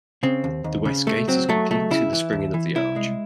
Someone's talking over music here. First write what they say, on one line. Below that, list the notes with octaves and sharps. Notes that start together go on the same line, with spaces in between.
The west gate is complete to the springing of the arch.
C#3 C4
D#2
D#2
C#3
C#2 A3
F#3 C4
F#3 A3
C#2 A3
C#3 E4
E3
D#2
E3
C2 E4
G#3